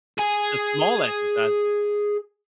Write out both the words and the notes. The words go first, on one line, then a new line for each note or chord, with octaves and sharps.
the small exercise
G#4 G#5